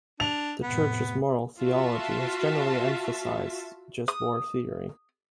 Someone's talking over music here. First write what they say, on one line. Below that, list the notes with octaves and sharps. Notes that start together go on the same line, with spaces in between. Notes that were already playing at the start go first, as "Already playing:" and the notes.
The Church's moral theology has generally emphasised just war theory.
D4 F7
F2 A2 C3 B3
F4 F#4 E5 A5
D#6